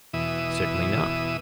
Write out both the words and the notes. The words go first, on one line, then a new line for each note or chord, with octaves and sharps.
Certainly not.
E2 B2 E3 E5 D#6